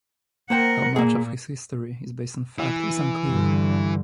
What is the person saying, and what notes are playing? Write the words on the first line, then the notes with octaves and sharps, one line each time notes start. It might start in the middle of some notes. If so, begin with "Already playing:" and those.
How much of his story is based on fact is unclear.
A#3 A#4 C5 F#5 G5
A#2 A#3 G#4
E3
G2 D3